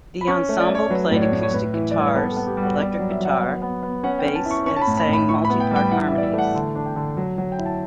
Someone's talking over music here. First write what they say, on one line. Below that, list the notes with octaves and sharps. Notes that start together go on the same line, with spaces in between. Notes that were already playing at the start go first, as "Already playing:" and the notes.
The ensemble played acoustic guitars, electric guitar and bass and sang multi-part harmonies.
B5
C#4 C#6
A3
D5
A3
C#5
F#3 B4
A2 D5
C#5
A2
C#5
A2 B4
E3
D5
G3 C#5
B4
B3 A4
A4
B3
G4
G3
F#4
B3 D5
D5
F#3
E5
F#3
F#5
B3
B3
B3
C#4 F#5
G5
C#4
A5
E4
C#6
C#4 C#6
A5
B5
A2
B5
A2
B5
E4 C#6
B5
B3
G5
G3 G5
E3 F#5
E5
E3
D5
E5
A3
F#5
D3
D4
G5
D3
F#3
F#3
G5
E4
A5